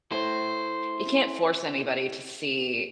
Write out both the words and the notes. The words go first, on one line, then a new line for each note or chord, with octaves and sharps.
you can't force anybody to see
E4 A4 C5